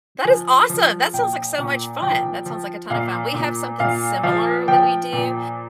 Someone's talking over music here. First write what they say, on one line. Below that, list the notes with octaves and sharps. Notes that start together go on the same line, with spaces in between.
That is awesome. That sounds like so much fun. That sounds like a ton of fun. We have something similar that we do.
F3 G#5
F3
A#2 G5
A#2
F3 G5
F3
A#2 F5
A#2
A#2 F5
F3 F5
F3 G5
A#2